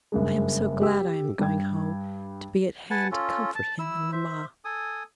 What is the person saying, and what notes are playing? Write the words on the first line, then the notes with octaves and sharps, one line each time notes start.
I am so glad I am going home, to be at hand to comfort him and mamma.
F#1 G2 G#3
G4 E6
G2 G5 G#6
B4 F#5 G#5 A5
C#4 F4 A4
A5
E4 E6
C5 E5
A4 G#5 D#6